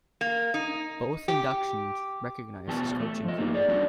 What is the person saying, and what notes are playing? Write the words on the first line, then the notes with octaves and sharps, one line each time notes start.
Both inductions recognized his coaching career.
A#3
D#4
G4
E2 B2 G4 A5
A3
F3 D#5
A3 A#3 D#4 F4 G4
G#4 D5
G3 C#4 D4 F#4 G4